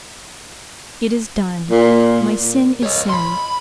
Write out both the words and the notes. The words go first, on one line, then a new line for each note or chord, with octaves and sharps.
It is done--my sin is sinned.
A#2
C#5 D#5
B5 C6